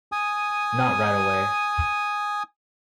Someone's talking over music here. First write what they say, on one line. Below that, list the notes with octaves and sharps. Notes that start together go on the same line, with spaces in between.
Not right away.
G#5 D#6